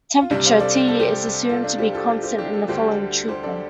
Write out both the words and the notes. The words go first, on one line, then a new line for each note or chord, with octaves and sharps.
Temperature, "T", is assumed to be constant in the following treatment.
F4
C2 C3 G3 D4
C5 F5
A4 D5
C5
A4
G4 C5
F4 A4
D4
G4 C5
F4 A4
F4 A4
G4 C5
D4 G4
F4 A4
D2 D3 G3 G4 C5
G4 C5
A4 D5